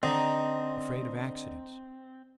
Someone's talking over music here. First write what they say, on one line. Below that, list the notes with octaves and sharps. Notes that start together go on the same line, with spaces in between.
Afraid of accidents.
D3 C4 D#4 D#5